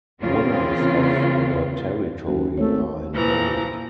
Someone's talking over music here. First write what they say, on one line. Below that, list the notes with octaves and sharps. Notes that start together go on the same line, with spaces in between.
Winners of the territory are in bold.
C#3 E3 A#3 C4 F4
F#1 F#4
G#1 A3 C#5
A#2 E3 F3 A#5